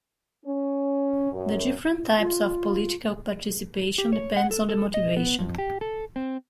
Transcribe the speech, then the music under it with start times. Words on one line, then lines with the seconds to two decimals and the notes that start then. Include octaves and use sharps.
The different types of political participation depends on the motivation.
0.45 C#4
1.33 F#2
2.19 F4
3.98 G4
4.13 C#5
4.37 F#5
4.51 A4
4.69 A4
4.94 D#5
5.17 B3
5.39 F2
5.58 G4
5.81 A4
6.16 C4